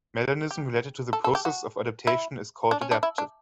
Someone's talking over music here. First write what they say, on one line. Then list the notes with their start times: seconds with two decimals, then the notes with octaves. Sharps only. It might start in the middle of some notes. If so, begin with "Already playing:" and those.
Melanism related to the process of adaptation is called adaptive.
0.51 G4
1.13 A4
1.24 A4
1.35 G4
1.45 F#4
2.07 E4
2.71 D4
2.81 C#4
2.91 D4
3.03 E4
3.18 D4